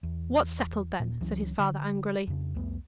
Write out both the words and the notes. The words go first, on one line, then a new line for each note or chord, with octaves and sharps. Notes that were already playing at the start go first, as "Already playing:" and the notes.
"What's settled, then?" said his father, angrily.
E2
D#1 A#2
C#2 E3 F#3 C#4
D3
F2 C#3
C2 F2 A3 B3